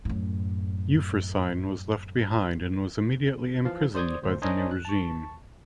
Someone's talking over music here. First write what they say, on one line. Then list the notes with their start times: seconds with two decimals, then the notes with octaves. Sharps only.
Euphrosyne was left behind and was immediately imprisoned by the new regime.
0.05 F#2 A2
3.65 E3 F3 F5
3.95 C5 D5 D#6 G6 G#6
4.22 A1 D2 C5
4.42 D4 C5 C#5 D#5 G#5 A#5
4.71 F#6
4.85 A5 C#6